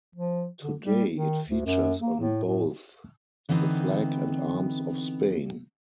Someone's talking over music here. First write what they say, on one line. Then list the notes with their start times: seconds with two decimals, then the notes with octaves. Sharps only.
Today it features on both the flag and arms of Spain.
0.15 F3
0.62 D3
0.83 G3
1.14 D#3
1.47 D2
1.66 F#2
2.00 A#3
2.20 A2
2.44 A2
3.49 D3 E3 B3 C4 D#4